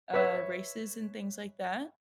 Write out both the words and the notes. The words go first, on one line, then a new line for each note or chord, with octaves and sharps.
uh, races and things like that.
B4 C#5 E5